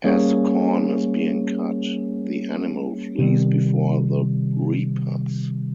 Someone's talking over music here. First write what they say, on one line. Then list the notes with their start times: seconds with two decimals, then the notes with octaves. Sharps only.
As the corn is being cut, the animal flees before the reapers.
0.04 G3 A#3 C#4 G#4 C#5
3.19 C3 D#3 G3